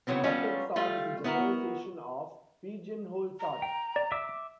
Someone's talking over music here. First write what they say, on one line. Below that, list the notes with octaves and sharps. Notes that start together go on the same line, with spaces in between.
Bucket sort is a generalization of pigeonhole sort.
C#3 E3 F#3 B3 C4
F#3 G3 B3 C#4 D4 F4
G3 A3 F4
B3 E4 F#4 A#4
A#5
G5
D5
E5 D6 E6